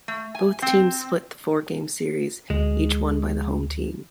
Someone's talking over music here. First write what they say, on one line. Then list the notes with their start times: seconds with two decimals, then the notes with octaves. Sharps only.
Both teams split the four-game series, each won by the home team.
0.08 A3
0.35 G#5
0.62 C4
2.50 D2 G#3